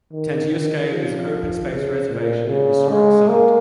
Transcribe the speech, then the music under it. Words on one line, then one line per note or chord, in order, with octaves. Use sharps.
Tantiusques is an open-space reservation and historic site.
D#3
D#3
F3
C#3
A#2
C#3
G#3
A#3